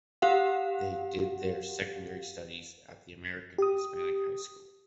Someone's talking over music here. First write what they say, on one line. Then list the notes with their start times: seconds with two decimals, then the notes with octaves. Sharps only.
They did their secondary studies at the American Hispanic High School.
0.22 G4 F5 F#5
3.58 G4 D#6